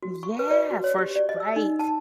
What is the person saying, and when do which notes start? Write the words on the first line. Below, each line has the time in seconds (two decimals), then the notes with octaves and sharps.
Yeah, for su right.
0.03 F#4
0.23 C#6
0.39 B4
0.51 D5
0.71 F#4
0.84 C#5
0.98 G4
1.16 D5
1.29 D#5
1.40 E6
1.56 D#4
1.79 A5